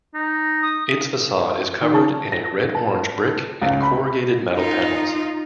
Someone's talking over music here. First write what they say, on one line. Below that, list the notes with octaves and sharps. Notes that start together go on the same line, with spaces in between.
Its facade is covered in a red-orange brick and corrugated metal panels.
D#4
D#6
D#3
A5
A#6
A5
C#2
B5
D#4 F4